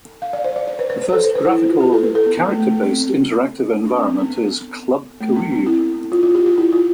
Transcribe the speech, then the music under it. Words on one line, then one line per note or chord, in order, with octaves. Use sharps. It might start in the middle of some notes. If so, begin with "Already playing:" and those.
The first graphical character-based interactive environment is "Club Caribe".
F5
D5
C5
D5
C5
B4
B4
C5
A4
C5
B4
E4
E4
F4
G4
A4
B4
A4
B3
B3
A3
A3
B3
C4
D4
C4
B3
B3
B3
A3
B3
C4
E4
F4
F4
G4
F4
E4
F4